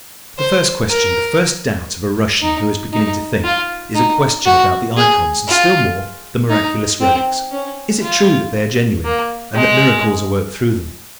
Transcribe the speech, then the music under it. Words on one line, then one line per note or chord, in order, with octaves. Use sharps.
The first question, the first doubt of a Russian who is beginning to think, is a question about the ikons, and still more the miraculous relics: Is it true that they are genuine, and that miracles are worked through them?
C5
A#4
D#4
D#4
F4
D#4
F#4
G#4
F4
D#4
C4
C#4
F4
A#3
G#3